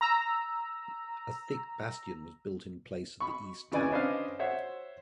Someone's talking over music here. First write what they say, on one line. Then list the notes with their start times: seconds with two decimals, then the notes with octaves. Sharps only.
A -thick bastion was built in place of the east tower.
0.01 A#5 E6
3.20 B5 C#6
3.72 C#3 E3 D5 G#5
3.91 C#4 D4 B4 C5 D#5 F5
4.39 C5 C#5 E5 F#5